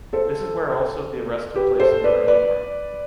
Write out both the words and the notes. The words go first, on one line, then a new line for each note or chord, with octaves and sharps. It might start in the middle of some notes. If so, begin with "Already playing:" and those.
This is where also the arrest took place in the early morning.
A4 C5
G4 B4
A4 C5
B4 D5
B4 D5